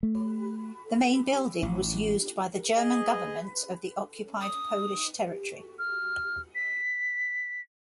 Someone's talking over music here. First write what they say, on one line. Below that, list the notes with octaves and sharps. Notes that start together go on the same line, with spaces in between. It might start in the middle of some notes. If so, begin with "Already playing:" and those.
The main building was used by the German government of the occupied Polish territory.
A3
A1
G#4 D#5
D#6
F6
B6